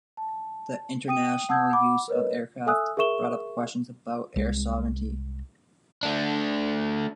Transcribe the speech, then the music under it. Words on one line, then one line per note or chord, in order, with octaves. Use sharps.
The international use of aircraft brought up questions about air sovereignty.
A5
G5 D#6 D#7
F#5 A5 D#6 E6 G6 G#6
F#5 B5 D6
A#4 B4 C#5 D#5
A4 E5 G#5 D#6 E6 F#6
G#4 A#4 E5 C#6 E7 G7
C2 G#3
A3 D4